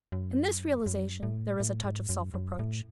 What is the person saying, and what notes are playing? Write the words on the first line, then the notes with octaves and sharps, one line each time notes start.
In this realization there was a touch of self-reproach.
F#2
F#2
A2
A2
G#2
F#2
F#2
A2